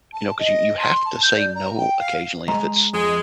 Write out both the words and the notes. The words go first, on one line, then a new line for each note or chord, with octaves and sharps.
You know, 'cause you you have to say no occasionally if it's
A5
D#5
C6
A5
G6
D5
A#5
G5
F5
G#3 D#5 A#5
F2 G#3